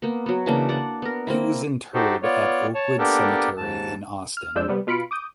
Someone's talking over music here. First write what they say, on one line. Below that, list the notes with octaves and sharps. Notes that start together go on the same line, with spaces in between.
He was interred at Oakwood Cemetery in Austin.
A#3 B3
F#3 B3
C#3 E3 A#3 D4
D4 D5 F#5
B3 A#4
A#3 C4 E4
D#4 F#4 G4 A4 C5
B3 F4 C#5 D5
C#5 A5
A#3 B3 D4 G4 A4 A#4
D#2 G#2 A5
F6
F2 F3 G#3 D4 E6 G6
C3 G3 B3
B2 F4 F5 B5 C#7 D7
D6 D#6 G6